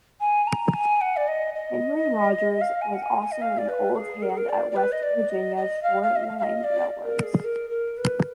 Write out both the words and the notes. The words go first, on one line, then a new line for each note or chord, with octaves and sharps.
Henry Rogers was also an old hand at West Virginia short line railroads.
G#5
A#5
G#5
F#5
D5
D#5
D#5
F5
G#5
F#5
G#5
G#5
D#5
F5
D5
B4
G#4
A#4
G#4
A#4
D5
D5
B4
D#5
D5
D#5
D#5
F5
F5
D#5
F5
F5
D#5
D5
A#4
G#4
A#4
A#4
B4